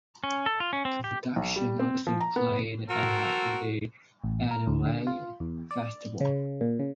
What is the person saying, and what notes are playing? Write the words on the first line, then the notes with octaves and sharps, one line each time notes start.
The production also played at the Adelaide Festival.
C#4
A4
F4
C#4
C4
G4
B1
G3
C4
F3
A#5
B3
C4 F#4 A4 A#4
A1
A#4
D2
D3
F4
E2
D5
C#3
A#2
C#3